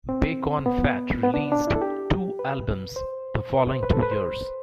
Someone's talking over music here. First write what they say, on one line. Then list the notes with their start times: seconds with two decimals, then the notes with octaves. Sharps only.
Bacon Fat released two albums the following two years.
0.09 C4
0.66 B3
1.23 B3
1.34 D4
1.52 D4
1.67 E4
1.76 A4
1.82 G4
2.39 B4
2.96 C5
3.54 B4
3.69 C5
3.83 B4
3.93 A4
4.03 B4
4.11 C5